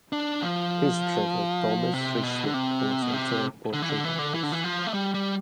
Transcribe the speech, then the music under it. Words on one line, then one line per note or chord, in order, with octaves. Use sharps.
His brother Thomas Richmond was also a portrait artist.
D4
F3
C3
B2
D3
C3
B2
C3
D3
E3
D3
E3
D3
E3
D3
E3
F3
A3
G3
G3